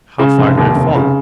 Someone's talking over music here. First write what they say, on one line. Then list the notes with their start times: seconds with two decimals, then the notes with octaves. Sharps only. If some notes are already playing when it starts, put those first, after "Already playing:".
How far did it fall?
0.19 C#3
0.38 F1
0.57 D#2
0.75 F1
0.95 C#3